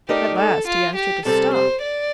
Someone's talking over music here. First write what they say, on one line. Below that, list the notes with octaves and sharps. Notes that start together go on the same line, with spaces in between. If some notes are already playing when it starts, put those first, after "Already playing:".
At last he asked her to stop.
A3 D#4 G4 A#4 D5
A4
F4
G4
C3 G3 C4 A4
C5
D5